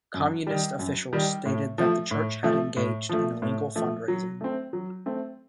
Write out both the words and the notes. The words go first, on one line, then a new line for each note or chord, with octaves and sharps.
Communist officials stated that the church had engaged in illegal fundraising.
F#2
D#3 G3
F#2
D#3 G3
A2
F3 A3
A2
F3 A3
A2
F3 A3
A2
F3 A3
F#3
A3 C4
F#3
A3 C4